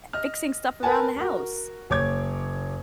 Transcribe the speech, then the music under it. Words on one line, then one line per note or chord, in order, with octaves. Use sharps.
e fixing stuff around the house
D#5 F6
A#4 B4 F#5 G#5 A5
F#4 A#4
F#1 C#5 D6 G#6